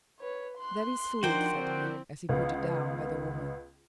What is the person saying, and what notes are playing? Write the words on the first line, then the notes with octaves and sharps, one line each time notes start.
"There is food," said he, as he put it down by the woman.
B4 C#5
C6 F#6
F3 D4 D#4 F#4 A#4 C5 D5 G5
D3 F3 C4 E4
C#2 B3 F5